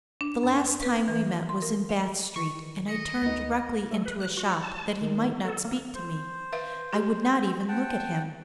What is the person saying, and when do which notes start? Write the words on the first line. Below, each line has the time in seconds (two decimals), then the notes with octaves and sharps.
The last time we met was in Bath Street, and I turned directly into a shop that he might not speak to me; I would not even look at him.
0.21 D4
0.43 F#2
0.57 F5
0.83 B4
1.08 E3
1.49 C6
1.62 A#4
1.89 F5
2.36 D#3 C#6
2.88 D#5 C#7
3.22 D2 B3 D#4
3.91 A3
4.05 B4
4.20 F#6
4.37 F#4
4.63 A5
5.01 D#3
5.44 A4
5.65 A#3
5.95 C5
6.52 B4 E5 F5
6.93 G4
7.22 C5
7.68 F#5 G5 A5